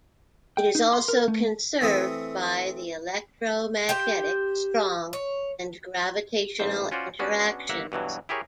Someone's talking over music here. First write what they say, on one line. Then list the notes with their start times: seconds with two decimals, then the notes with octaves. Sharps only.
It is also conserved by the electromagnetic, strong, and gravitational interactions.
0.57 G5
0.75 D#4
0.93 C6
1.08 A#4
1.28 A3
1.81 E3 A3 C4 C#6 D#6
3.89 G4 C5 G5
5.13 C#5
6.59 A1 G#2 C5
6.92 C#4 F4 F#4 C5 D5
7.19 B3 C#4 D4 F#4
7.69 G1 A#3 E5 F#5 A#5
7.92 G2 B2 E3 F#3
8.29 E4 G4 G#4 A#4 C#5